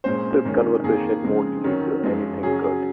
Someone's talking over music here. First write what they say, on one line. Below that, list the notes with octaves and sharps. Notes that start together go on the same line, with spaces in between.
This conversation won’t lead to anything good.
A#2 G#3 C#4 C5
C3 D#3 G#3 C#4
F2 D#3 A#3 G#4
C#3 F3 G#3 C4
F2 D#3 F#3 C#4
F#2 F3 G#3
C#3 F#3 C#4 G#4
G#4